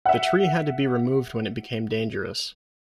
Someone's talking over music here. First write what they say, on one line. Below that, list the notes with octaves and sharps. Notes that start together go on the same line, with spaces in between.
The tree had to be removed when it became dangerous.
E5 F#5